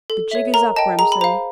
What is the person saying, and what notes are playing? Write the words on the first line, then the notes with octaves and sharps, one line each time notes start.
The jig is up, Remsen.
A4
C#5 E5
A#4 A#5
D#5 G5 A5
G#4 A#5
B5
C5 F5 A#5